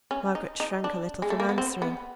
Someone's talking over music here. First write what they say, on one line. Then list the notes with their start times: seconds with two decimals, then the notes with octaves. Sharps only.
Margaret shrank a little from answering.
0.11 C#4
0.35 D#4
0.60 D#4
0.84 D4
1.22 G#3
1.30 A3
1.40 A#3
1.49 B3
1.58 C4
1.82 B3